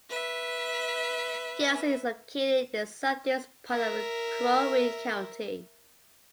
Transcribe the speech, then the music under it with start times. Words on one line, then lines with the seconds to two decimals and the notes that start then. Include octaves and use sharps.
Garrison is located in the southeast part of Crow Wing County.
0.11 B4 E5
3.69 A#4 E5